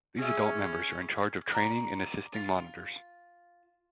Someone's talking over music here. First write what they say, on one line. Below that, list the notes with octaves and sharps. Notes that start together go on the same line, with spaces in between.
These adult members are in charge of training and assisting Monitors.
C#4 G#4 E5
D5 A#5
F4